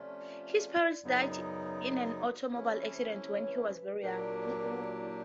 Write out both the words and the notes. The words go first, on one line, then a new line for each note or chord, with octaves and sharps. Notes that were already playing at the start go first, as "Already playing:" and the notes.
His parents died in an automobile accident when he was very young.
Already playing: C3 F3 A3 C#4 F4 D5
F#2 C#3 F#3 B3 D#4
C3 E3 A3 C#4 E4 C#5
C5
C#5
C#5
B4
C5
B4
A#2 F#3 A#3 D4 G4 A#4
F#4
E4